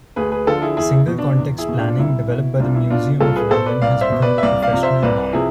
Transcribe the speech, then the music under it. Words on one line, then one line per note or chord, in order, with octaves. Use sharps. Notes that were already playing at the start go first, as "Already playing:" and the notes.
Single context planning developed by the Museum of London has become the professional norm.
D2 G#4 B4
G#4 B4
D3 F3 F4 A4
E4 G#4
E2 E4 G#4
B2
D4
E2
E4 G#4
B2
D4 F4
C2 E4
B2
C2 D4 F4
E4
B2 D4 F4
C2 F4 A4
G#4 B4
B2 A4 C5
B4 D5
C2 D5 F5
C5 E5
B2
B4 D5
E5
C2 D5 F5
D5 F5
C3 F3
C5 E5
C2 B4 D5
C3 F3 E4 G#4